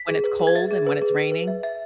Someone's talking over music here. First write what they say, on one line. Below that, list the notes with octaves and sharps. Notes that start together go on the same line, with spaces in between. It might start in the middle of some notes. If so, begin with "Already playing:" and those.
When it's cold and when it's raining?
Already playing: B6
G#4
B4
G#4
G#6
E5 A6
G#4
B4
G#4
B4
B4
E5
E5